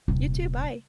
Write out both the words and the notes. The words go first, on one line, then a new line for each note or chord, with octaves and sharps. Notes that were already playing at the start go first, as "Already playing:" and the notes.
You too. Bye.
D#1 C3